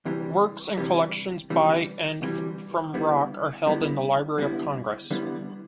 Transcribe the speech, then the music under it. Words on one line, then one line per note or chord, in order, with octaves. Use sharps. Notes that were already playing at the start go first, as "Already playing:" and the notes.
Works and collections by and from Rock are held in the Library of Congress.
D2 C3 E3 G3
D2 C3 E3 G3
D2 C3 E3 G3
D2 C3 E3 G3
D3 G3 B3 E4
D3 G3 B3 E4
D3 G3 B3 E4
D3 G3 B3 E4